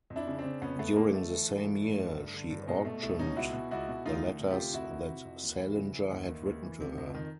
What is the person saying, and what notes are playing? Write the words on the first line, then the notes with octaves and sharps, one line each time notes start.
During the same year, she auctioned the letters that Salinger had written to her.
F2
D4 E4
C#3
C4 D4
C#3
F2 B3 C#4
F2 A3 B3
D3 G#3 A#3
D3 A3
E3
E3
E3
G2
G2
G2
D3
G2
B2 G#3
B2 A3
C2 A3
B2 C#4 D#4
C#2 E4 F#4
B2
C#2 E4 F#4
B2
D2 D#4 F4
D2
C3
F4 G4
D2
F2 E4 F#4
D#3
C3
F2
D#2
E3
C#3
E3
D#2
D#2
D#2
E3
C3
F2
D#3